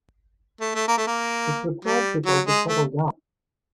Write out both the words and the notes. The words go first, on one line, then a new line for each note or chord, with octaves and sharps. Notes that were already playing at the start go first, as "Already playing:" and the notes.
It required people to settle down.
A3
A3
A#3
A3
A#3
G3
F#3
G#3
A3